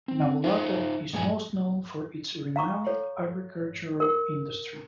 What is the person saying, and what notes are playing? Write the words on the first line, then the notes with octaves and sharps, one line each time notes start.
Navolato is most known for its renowned agricultural industry.
C4
D#4 F4 C5 E5
G2 A#2 G#3 E4 G#5
F5 A#5 C#6 D6
A4 C#5
A#4 D#6